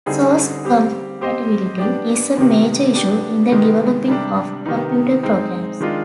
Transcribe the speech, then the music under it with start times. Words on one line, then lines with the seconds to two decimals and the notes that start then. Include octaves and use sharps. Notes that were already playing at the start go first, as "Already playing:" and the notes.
Source compatibility is a major issue in the developing of computer programs.
0.06 D3 G3 C4 D#4 G#4
0.64 G3 C4 G4
1.21 C4 G4 C5 D#5
1.78 B3 D4 G4 D5
2.36 C3 D#3 B3
2.93 B3 D4 G4
3.51 C3 D#3 G#3 B3
4.08 C3 G3 D4 G4
4.66 C3 D#3 B3 D#4
5.23 G#3 C4 D#4
5.80 D#3 G#3 D4 F4